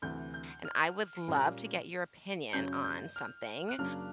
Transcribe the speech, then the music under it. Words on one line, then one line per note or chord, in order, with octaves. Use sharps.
and I would love to get your opinion on something.
D2 C3 E3 G6
G6
F6
A#2 G3 A#3 C#4
F#2 C#3 F#3 G6
G6
F6
F#6
F#2 C#3 F#3 A#3 D4 F6